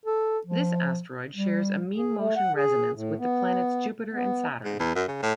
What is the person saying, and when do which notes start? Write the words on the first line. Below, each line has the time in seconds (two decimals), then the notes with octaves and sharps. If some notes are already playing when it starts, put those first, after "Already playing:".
This asteroid shares a mean-motion resonance with the planets Jupiter and Saturn.
0.06 A4
0.47 F3
1.35 G3
1.96 G#4
2.17 A3
2.36 F#5
2.56 G#4
2.95 A2
3.19 B3
4.14 B3
4.65 G#2
4.80 E2
4.96 F#2
5.08 C#3
5.23 A2